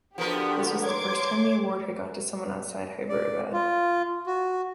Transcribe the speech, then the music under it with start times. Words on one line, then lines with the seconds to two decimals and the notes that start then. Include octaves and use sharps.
This was the first time the award had gone to someone outside Hyderabad.
0.18 D3 F3 B3 F#4 G4 A#4
0.84 C#5 C6 D6 G#6
3.09 D5
3.53 F4
4.27 F#4